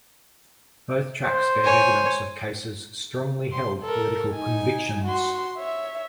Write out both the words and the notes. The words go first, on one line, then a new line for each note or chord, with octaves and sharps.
Both tracks gave evidence of Case's strongly held political convictions.
C5
C#5 G#5
C6
A4 A#4
D#4 G#5
F#4 C6
C#5 E5